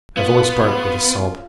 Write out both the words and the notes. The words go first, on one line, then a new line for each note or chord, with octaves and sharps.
Her voice broke with a sob.
B3 F4